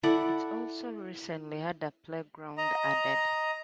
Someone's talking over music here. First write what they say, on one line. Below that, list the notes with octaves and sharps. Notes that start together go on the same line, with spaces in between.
It also recently had a playground added.
E4 A4 D5 F#5
D#5 A#5